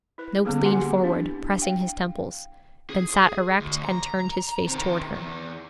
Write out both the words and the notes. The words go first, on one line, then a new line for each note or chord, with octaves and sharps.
Noakes leaned forward, pressing his temples; then sat erect and turned his face toward her.
E4 B4
D3 G3 A#3 B3 C#4 G#4
F#4 G4 B4 F#5 G#5 C6
C4 D4 E4
F5 G5
G#4
D2
A#5
C3 D#3
E2